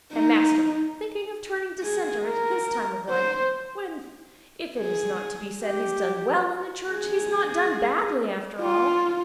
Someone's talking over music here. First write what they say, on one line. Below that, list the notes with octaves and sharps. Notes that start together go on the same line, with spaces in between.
And master thinking of turning Dissenter at his time of life, when, if it is not to be said he's done well in the Church, he's not done badly after all.
D#4
G#4
A#4
C5
G#4
G4
G#4
F4